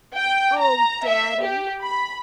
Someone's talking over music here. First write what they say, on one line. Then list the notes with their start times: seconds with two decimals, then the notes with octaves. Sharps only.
Oh, daddy!
0.16 G5
0.60 A#5
1.06 E5
1.42 G4
1.82 B5